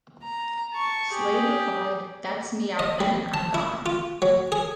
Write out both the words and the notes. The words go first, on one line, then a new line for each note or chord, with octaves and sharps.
Slade replied, That's me out then, I'm gone.
A#5
A5 C#6
G4 G#4
D#5
G3
A5
E4
F4
F#3
G#4